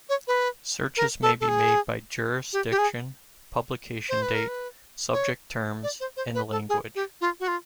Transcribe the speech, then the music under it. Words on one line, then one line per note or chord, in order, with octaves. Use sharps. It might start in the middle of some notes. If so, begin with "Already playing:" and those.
Searches may be made by jurisdiction, publication date, subject terms, and language.
C#5
B4
A#4
A4
A4
G#4
G4
G4
G#4
C5
B4
A#4
B4
C#5
D5
C5
C5
B4
A4
G#4
G4
F4
F#4
F4